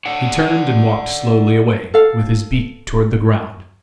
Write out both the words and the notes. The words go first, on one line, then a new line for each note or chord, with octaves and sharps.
He turned and walked slowly away, with his beak toward the ground.
C#5 D5 F#5
A4 F5